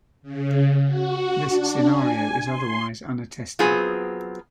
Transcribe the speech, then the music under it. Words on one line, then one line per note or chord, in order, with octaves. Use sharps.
This scenario is otherwise unattested.
C#3
F#4
D4
G#5
C6
F#3 B3 C4 F4 G#4